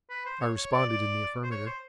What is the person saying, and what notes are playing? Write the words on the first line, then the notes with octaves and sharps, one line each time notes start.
I responded in the affirmative.
B4
C5
C#5
C#5
D5
D5
C5
C#5
C5